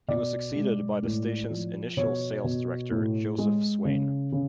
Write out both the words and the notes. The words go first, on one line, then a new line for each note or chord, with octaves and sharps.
He was succeeded by the station's initial sales director Joseph Swain.
B2 D5
G#3
A2
F3
B2 C#5
B2
A2
G#3
C#3
C#3